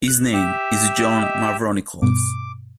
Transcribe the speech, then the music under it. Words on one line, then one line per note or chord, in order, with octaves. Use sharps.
His name is John Mavronicles.
F#6
G4 E5
D#5
G2 B2 D6